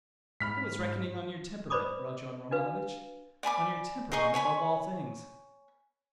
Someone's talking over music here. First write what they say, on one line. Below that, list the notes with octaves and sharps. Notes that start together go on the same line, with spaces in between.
I was reckoning on your temperament, Rodion Romanovitch, on your temperament above all things!
G#2 B5 F6 B6
B4 C5 D5 B5 D6 D#6
D4 F#4 B4 F5
D5 G#5 B5 D6
D#4 G#4 D#5 C#6
C#5 G#5 B5 C#6